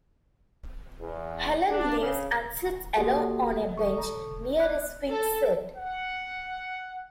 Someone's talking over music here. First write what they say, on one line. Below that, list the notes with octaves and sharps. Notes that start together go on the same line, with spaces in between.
Helen leaves, and sits alone on a bench near a swing set.
E2
D4
C#3
A#3 F#4 G4 A4 F#5
A4 C#6
D5 F#6
A4
F#5